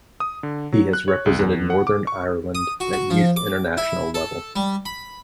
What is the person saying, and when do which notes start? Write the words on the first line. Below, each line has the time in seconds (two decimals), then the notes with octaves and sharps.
He has represented Northern Ireland at youth international level.
0.20 D#6
0.43 D3
0.72 F#3
0.93 F#6
1.08 C#5
1.26 C2
1.39 E2
1.70 F#5
1.87 D6
2.07 C#6
2.55 D#6
2.80 F#4
2.93 F#4
3.10 F3
3.36 D6
3.77 E4
4.14 A4
4.56 G3
4.86 B5